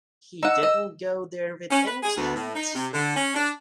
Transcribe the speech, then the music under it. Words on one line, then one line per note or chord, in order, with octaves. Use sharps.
He didn't go there with intent.
D#4 F#5 E6
D#5
C#4
B4
G#4
D2
A2
D#4
C3
D3
C#4
D4